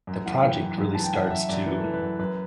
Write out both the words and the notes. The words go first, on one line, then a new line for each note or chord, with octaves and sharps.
the project really starts to,
F#2
E3 F#5
E3 G5
F#2
F#2
E3 A5
G5
E3 F#5
F#5
F#2 E5
F#2 D5
E3 B4
E3 A4
B4
F#2
F#2 B4